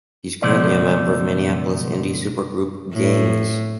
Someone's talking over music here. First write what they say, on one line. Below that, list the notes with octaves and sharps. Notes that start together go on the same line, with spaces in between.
He is currently a member of Minneapolis indie supergroup Gayngs.
C#2 B2 F3 A3 C5 D5
A2